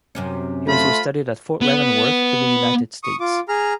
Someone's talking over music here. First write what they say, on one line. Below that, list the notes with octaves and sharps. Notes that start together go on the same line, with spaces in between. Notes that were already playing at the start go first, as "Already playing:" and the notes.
He also studied at Fort Leavenworth in the United States.
F#2 C3 C#4
A3 F4 C5 B5
B3
C#6 D#6
F4 D6
G#4 A#5 F6